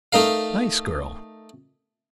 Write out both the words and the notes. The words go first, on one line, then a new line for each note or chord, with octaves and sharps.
Nice girl!
A3 D#4 A#4 F5